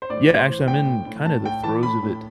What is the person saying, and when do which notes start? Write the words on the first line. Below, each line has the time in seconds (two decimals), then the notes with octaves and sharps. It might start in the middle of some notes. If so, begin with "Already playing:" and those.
Yeah, actually, I'm in kind of the throes of it
0.02 C5
0.10 A2 D5
0.30 A2
0.39 C5
0.48 E3
0.67 A2 G5
0.87 A2
1.06 A2
1.25 A2 A5
1.44 A2 G5
1.64 E3 A5
1.83 A2 B5
2.03 A2